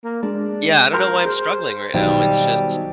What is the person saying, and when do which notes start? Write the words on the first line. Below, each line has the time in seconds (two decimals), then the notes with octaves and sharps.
yeah, I don't know why I'm struggling right now. It's just
0.04 A#3
0.23 G#3 D4
0.93 A#4 C6 F6 G6
1.25 G#4 C5
1.94 B1 D#3 G3 C5